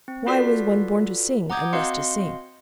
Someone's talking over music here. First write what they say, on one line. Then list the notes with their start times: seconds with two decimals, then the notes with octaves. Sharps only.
Why was one born to sing, unless to sing.
0.08 C4
0.26 F4 F#4 A4 B4 D5 B6
1.50 F#5 A#5 D6 D#6 G6 G#6
1.73 C4 F#4 D#5 F5 C6 C#7